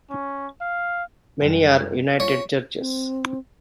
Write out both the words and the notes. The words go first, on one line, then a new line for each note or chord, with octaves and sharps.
Many are united churches.
C#4
F5
F#2 C3 G3
C#4 F4 C#5
C4